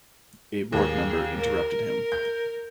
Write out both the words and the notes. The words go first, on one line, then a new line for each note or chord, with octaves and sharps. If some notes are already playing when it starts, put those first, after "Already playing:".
A board member interrupted him.
D#2 A#3 G#4
A#4
G6